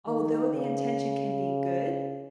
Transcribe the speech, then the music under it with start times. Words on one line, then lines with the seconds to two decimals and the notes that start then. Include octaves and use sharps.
although the intention can be good,
0.08 D#3
0.54 C#3